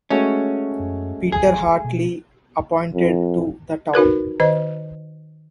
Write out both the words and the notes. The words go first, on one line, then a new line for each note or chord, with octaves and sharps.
Peter Hartley appointed to the town.
G#3 A3 C#4 F#4
F#2
G#1 G#4
B2
F2
D#4 F#4 A#4 B4
D#3 C5 D#5